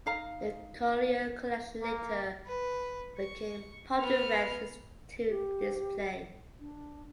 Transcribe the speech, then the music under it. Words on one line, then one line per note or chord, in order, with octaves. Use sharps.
The Collier Collection later became part of the Revs Institute display.
D#4 F5 A#5
A#3
B4
C#6
B3 F6
G4
D4